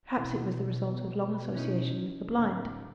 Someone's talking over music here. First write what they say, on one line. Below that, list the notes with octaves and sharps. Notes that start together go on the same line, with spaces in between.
Perhaps it was the result of long association with the blind.
B2 E3
E3 C#4 D#4
A2 D3 C4